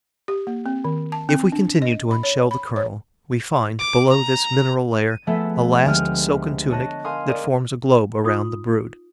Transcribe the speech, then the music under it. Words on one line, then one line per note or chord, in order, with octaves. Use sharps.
If we continue to unshell the kernel, we find, below this mineral layer, a last silken tunic that forms a globe around the brood.
G4
A#3
C4
D#3
A5
C4
D4
D#5
B5
C#5
B5
C#5
D6
A#5
D#7
F3 A3 B3 G#4 A4 E5
D2 G#3 G4 D#6 F6
C#5 D#5 A5 F#6 A#6
A#4 F5 G#5 C6 D#6
G#4 A#4 D5 D#5
D#4 F4 D#6